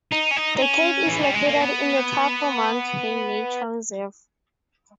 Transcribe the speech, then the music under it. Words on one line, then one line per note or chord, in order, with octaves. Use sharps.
The cave is located in the Tapir Mountain Nature Reserve.
D#4
C#4
D#4
D#4
C#4
E3
G3
G#3
A#3
B3